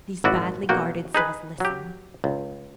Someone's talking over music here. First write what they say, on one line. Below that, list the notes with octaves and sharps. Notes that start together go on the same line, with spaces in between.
These badly guarded souls listen.
G#1 A#2 E4 F#4 D5
B1 A#3 F#4 G5
D#4 G#4 B4
F#3 G4
C#2